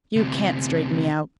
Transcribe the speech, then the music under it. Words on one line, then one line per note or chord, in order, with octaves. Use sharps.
"You can't straighten me out."
D2 C3